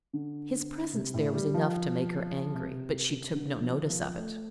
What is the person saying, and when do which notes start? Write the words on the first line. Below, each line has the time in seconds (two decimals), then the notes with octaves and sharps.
His presence there was enough to make her angry, but she took no notice of it.
0.13 D3
0.93 C3
1.14 A2
1.34 G3
1.54 F3
2.54 C3
3.35 D3
3.63 F3
3.89 F3
4.16 A3